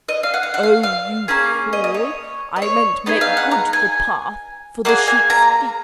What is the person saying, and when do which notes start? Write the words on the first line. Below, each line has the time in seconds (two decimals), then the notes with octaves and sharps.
"Oh, you fool, I meant make good the path for the sheep's feet."
0.09 D#5
0.23 F5
0.34 F#5
0.43 F5
0.54 F#5
0.63 F5
0.83 F5
1.28 A#3 C#4 G#4
1.73 D#5
1.84 D#5
1.94 C#5
2.56 D#5
2.62 C#5
3.06 B3 D#4 G#4 D#5
3.21 F5
3.37 F#5
3.51 A#5
3.73 G#5
4.85 A#3 D#4 G#4 F#5
5.08 G#5
5.30 A#5